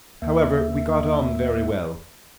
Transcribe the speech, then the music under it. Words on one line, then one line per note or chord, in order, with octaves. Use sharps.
However, we got on very well.
D#2 A#3 E5